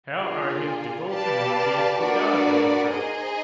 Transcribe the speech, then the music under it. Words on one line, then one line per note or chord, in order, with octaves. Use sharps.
How are his devotion and obedience to God illustrated?
A#3 D4 F4 G#4
G4 B4 D5 F5 A5
A#3 D4 F#4 B4 D5
D#4 G#4 C5 D#5